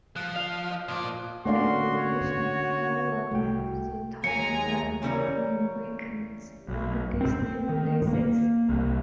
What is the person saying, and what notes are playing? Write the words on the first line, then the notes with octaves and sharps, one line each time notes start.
In addition, four of the top-five opening weekends were Disney releases.
F3 F#6
F5
D#5
A#2 F3 D5 D#5
D3 A3 A#3 C#4 F#4 D5 F5 C6
C#5
C2 A3 F#4 G5
D#2 F#3 G#3 G#5 A#5 C#7
C#3 E3 G3 C#4 A#4 C#5
B1
C4
D#3
A#3
C2